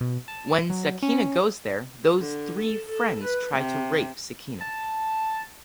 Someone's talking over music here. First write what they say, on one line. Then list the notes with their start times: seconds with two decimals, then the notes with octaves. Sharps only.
When Sakina goes there those three friends try to rape Sakina.
0.01 B2
0.28 A5
0.70 F#3
1.02 C#4
2.19 D3
2.60 A4
2.88 A4
3.23 B4
3.54 C3
4.61 A5